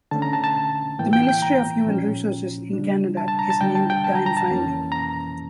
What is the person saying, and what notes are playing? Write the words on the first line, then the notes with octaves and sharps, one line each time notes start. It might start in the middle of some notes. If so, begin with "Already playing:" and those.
The Minister of Human Resources in Canada is named Diane Finely.
D3 A3 C#4 A5
A#5
A5
A5
A2 E3 A#3 G5
G5
G5
A#5
A#2 F3 C#4
C#3 G3 D4
A5
A5
A#5
A5
D3 G3 D4 G5
A5
G5
A5
A#5
A#5
A5
F2 E3 A#3 C#4
A#5